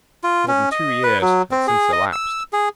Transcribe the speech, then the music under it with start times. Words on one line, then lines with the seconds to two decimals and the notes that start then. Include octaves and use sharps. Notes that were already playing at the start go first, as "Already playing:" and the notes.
More than two years had since elapsed.
0.24 F4
0.48 C#4
0.72 D#5
1.03 B4
1.21 F#3
1.51 C4
1.67 G#4
1.92 D#5
2.13 E6
2.53 G#4